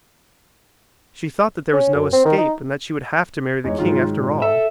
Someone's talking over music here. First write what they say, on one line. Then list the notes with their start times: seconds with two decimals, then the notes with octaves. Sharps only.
She thought that there was no escape and that she would have to marry the king after all.
1.73 C#4
1.95 F#2
2.13 C4
2.25 D#3
2.38 D#4
3.64 E2 G#3 D#4 C#5
3.78 G#2 D#3 F#3 F4
4.17 A#2
4.42 A4 E5